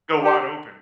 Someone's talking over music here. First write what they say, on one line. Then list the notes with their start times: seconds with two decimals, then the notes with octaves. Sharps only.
go wide open.
0.23 G4